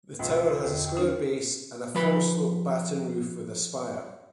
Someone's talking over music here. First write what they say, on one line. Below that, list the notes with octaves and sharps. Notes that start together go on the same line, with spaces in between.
The tower has a square base and a four-slope batten roof with a spire.
C#2 B2 F3 F4
A4
E2 D3
G5
C#4 D#4 A#4
F3 B4 B5